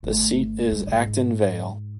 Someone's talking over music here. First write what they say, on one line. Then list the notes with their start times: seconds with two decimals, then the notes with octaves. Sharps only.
The seat is Acton Vale.
0.03 G1 A3
0.72 G3
0.88 G#2